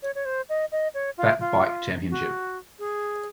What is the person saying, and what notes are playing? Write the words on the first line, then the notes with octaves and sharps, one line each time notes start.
Fat Bike championship.
C#5
C#5
C5
D#5
D#5
C#5
F4
F4
F#4
G#4